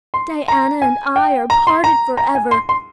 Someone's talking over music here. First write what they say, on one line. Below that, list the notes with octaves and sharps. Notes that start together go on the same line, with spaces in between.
Diana and I are parted forever.
C6
A#5
G#5
G5
A#5
C6
A#5
A#5
G#5
C6
C6